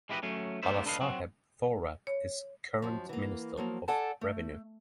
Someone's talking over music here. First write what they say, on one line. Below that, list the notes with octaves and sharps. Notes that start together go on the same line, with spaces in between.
Balasaheb Thorat is Current Minister of Revenue.
G#3 E4 G4 A#4 B4 D#5
F#3 A3 C#4
G#3 A#3 B3 D#4 C5 E5
D4 A4 B4 D#5 F5
F#3 C4 F#4
C#5
F#2 F3
E3 A#3
F3 F#3 A#3
A4 D5 F#5 G#5 A5
A3